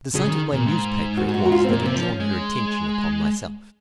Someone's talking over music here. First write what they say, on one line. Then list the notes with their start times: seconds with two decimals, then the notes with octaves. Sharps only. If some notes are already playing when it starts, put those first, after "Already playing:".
The sight of my newspaper it was that had drawn her attention upon myself.
0.14 C#3 G#4
0.28 D#3
0.53 A#2
0.66 G#2
1.17 F#4
1.29 G#4
1.34 F#4
1.45 F#4
1.52 F4
1.65 C4
1.69 A#2 A#3
1.82 C3 C4
1.94 F3
2.03 C#4
2.20 G#3